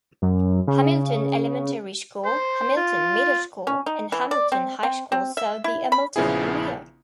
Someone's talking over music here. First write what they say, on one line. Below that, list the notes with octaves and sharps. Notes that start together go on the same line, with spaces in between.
Hamilton Elementary School, Hamilton Middle School, and Hamilton High School serve the Hamilton area.
F#2
C#3
C5
F4
C#4
D#4
E3
D5
C4
C4
C4
E5
E4
B5
A#1 C#3 F3 B3 E4 G#4